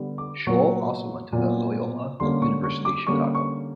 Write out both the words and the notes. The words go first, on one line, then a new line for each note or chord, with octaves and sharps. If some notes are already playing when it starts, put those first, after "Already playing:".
Scholl also went to the Loyola University Chicago.
Already playing: D3 G3 B3
D6
A#2 F#3 B3 C#6
A#2 F#3 B3
D3 G3 A#3 C#4 C6
C#6
C#6
D6
D3 G3 A#3 C#4 C#6
C#6